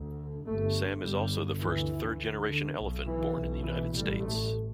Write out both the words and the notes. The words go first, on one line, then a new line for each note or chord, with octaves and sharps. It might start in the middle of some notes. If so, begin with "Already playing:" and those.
Sam is also the first third-generation elephant born in the United States.
Already playing: D2
G1 G2 A3
G1 G2 G3
D2 E3
E3
D2
D3
B1 B2
E3
B1 B2
E3
A1 A2 G3
A3